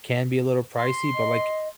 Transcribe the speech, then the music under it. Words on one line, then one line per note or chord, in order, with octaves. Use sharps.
can be a little pricey, but like
C6
D#5